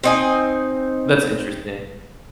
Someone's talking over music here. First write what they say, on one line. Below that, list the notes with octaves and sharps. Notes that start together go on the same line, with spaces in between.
That's interesting.
C4 D#4 G#5